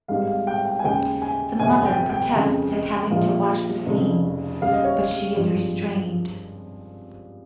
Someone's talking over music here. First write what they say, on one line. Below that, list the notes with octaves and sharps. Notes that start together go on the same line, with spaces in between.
The Mother protests at having to watch the scene, but she is restrained.
G#1 G#2 G3 F5
F5
G5
G5
G#5
D#2 C#3 G#3 G5
G#5
G1 F2 C3 G#5
G5
G5
F2 C#3 G#3
D#5
A#1 A#2 F3 G#3 F5
F1 F2 C#3
D#2 C#3 G3 F5
D#5
C#5
D#5
G#1 G2 F3 G#3